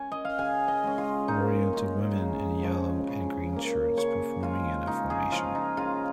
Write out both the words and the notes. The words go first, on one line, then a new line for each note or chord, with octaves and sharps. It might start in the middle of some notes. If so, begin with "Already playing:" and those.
Oriental women in yellow and green shirts performing in a formation.
Already playing: C#4 G#5
D#5
F5
C#3 G#5
D#5
G#3 C#4
F4
A#2 D#4
G#3 C#4
C#3
F3 G#3 C#4
C#3
A#3 C#4
C#3 C#5
G#3 C#4 F4
C#3 D#4
G#4
F3 C#4 F4
D#4
C#3 F4